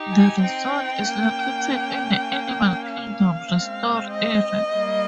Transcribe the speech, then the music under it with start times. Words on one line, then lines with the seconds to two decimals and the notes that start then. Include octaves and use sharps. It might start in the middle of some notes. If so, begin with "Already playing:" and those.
The resort is located in the Animal Kingdom Resort Area.
Already playing: D#4 G4
0.12 G#5
0.42 C4 D#4 G5
1.04 A#3 C#4
2.88 F5
3.49 G#3 C4
4.10 D#5
4.72 G3 A#3